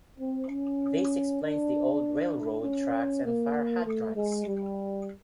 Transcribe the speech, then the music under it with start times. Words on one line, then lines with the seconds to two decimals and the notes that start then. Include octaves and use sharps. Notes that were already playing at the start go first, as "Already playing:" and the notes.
This explains the old railroad tracks and fire hydrants.
0.19 C4
0.49 C#4
1.41 D4
2.63 C#4
3.24 A#3
3.85 A3
4.15 G#3
4.47 G3